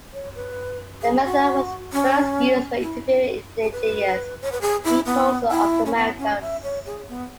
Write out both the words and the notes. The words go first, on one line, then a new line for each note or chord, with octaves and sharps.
The method was first used when interviewing indigenous peoples of the Americas.
C#5
B4
G#4
F#4
C#4
E4
G#4
B4
C#5
B4
G#4
E4
B3
E4
C#4
B3
C#4
E5
C#5
G#4
B3